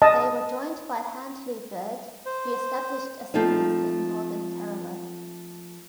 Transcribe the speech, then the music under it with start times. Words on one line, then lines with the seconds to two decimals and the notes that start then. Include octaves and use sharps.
They were joined by Handley Bird, who established assemblies in Northern Kerala.
0.02 D#5 A5
2.26 C5
3.34 F3 A3 C4 D#4